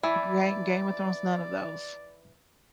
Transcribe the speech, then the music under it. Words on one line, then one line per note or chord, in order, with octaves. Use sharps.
Gain Game of Thrones, none of those.
E3 D5 B5 E6 G#6